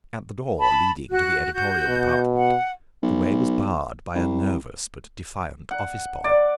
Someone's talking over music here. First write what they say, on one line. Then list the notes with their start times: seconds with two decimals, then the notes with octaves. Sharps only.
At the door leading to the editorial department the way was barred by a nervous but defiant office-boy.
0.59 A5 B5
1.10 F#4 F#6
1.53 F#4 G6
1.88 B2
2.35 F#5
3.03 B1
4.15 C2
5.71 F#5
6.24 D5